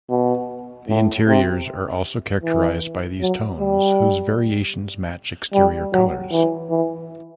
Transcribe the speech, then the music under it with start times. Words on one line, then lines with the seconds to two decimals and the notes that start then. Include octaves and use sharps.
The interiors are also characterized by these tones whose variations match exterior colors.
0.10 B2
0.89 A2
1.27 C3
2.43 E3
3.21 F#3
3.60 G3
5.54 G3
5.93 F#3
6.32 E3
6.70 E3